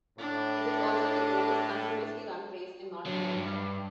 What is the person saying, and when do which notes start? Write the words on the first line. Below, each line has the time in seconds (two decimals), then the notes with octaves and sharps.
It is also the oldest continuously run race in North America.
0.19 A2 D4 A5
3.06 F#3 D4
3.36 G2